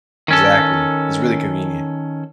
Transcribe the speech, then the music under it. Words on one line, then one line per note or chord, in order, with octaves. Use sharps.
Exactly. It's really convenient.
D#3 C#4 A4